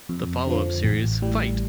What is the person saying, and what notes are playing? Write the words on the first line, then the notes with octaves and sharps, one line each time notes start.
The follow-up series, Fight!
F2
D3 F3
A1
A2 G3